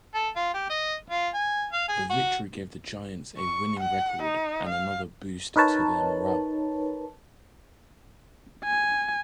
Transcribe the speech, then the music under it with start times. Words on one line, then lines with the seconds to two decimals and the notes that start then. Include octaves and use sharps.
The victory gave the Giants a winning record and another boost to their morale.
0.14 A4
0.36 F4
0.54 G4
0.70 D#5
1.10 F4
1.34 G#5
1.73 F5
1.89 G#4
2.10 F#4
3.38 C#6
3.80 F#5
4.23 D#4
4.69 F5
5.56 D#4 A#4 B4 C#5 A5
8.64 G#5